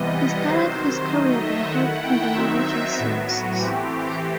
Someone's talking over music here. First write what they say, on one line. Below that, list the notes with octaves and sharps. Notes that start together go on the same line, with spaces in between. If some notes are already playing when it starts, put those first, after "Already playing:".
He started his career by helping the religious sciences.
Already playing: C3 E3 G3 B3 D#5
D#5
C3 D#3 F#3 C5
C5
D#3 F#3 A3 D#4 D#5
E5
D#3 A3 E4 F#5
G5
D#3 F#3 C4 D#4 E5
A2 F#3 B3
F#4
E3 A3 C4 G4